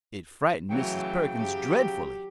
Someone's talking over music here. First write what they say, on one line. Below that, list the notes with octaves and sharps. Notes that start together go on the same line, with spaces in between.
It frightened Mrs. Perkins dreadfully.
C#3 E3 F#3 A3 G5
F#3 G4